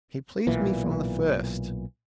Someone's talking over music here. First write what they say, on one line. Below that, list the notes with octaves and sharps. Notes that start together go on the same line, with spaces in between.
He pleased me from the first.
B1 A#2 E3